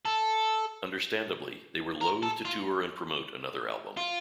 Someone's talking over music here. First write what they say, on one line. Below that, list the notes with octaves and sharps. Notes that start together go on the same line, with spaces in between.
Understandably, they were loath to tour and promote another album.
A4
A#4
A4
F4
F4